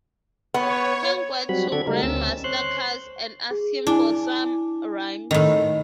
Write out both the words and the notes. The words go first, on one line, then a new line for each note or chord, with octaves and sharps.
Hank went to Grandmaster Caz and asked him for some rhymes.
B3 C#5
F#3 G3 C4 F#4 B5
D3 C4 F#4 A4 D5 G#6
C#3 G3 A3 A#3 D#4 A#4
D2 C4 C#4 E6 A6
C5 C#5 C6 F#6
G#4
D4 E4 G#5
A2 D#3